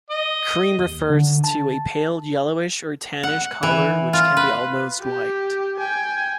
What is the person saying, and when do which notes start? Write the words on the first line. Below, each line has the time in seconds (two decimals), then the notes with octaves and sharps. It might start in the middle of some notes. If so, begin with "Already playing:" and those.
Cream refers to a pale yellowish or tannish colour which can be almost white.
0.10 D#5
0.79 D#2
1.10 D3
1.44 A5
3.23 F#5
3.63 E3
4.13 F4
4.37 B4
5.01 G4
5.77 G5 G#5